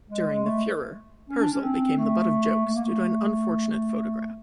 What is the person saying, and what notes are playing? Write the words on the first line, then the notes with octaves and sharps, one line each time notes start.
During the furor, Perzel became the butt of jokes due to an unfortunate photograph.
G#3
G#3
A3
C#4
D4
C#4
C4
A3
A3
A#3
A3
A3